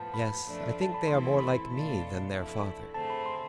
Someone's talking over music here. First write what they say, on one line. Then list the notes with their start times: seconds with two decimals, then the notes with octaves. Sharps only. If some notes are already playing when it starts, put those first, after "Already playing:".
"Yes; I think they are more like me than their father."
Already playing: A2 F3 B3 A5
0.14 B5
0.45 F3 A3 D4 F4
0.81 A5
0.94 B5
1.07 E3 A3 C4 E4 A4 C6
1.39 B5
1.70 B2 A3 D4 F4 A4
2.32 F2 D3 A3 E4
2.94 D3 A3 C4 G#4 A5
3.10 B5
3.26 C6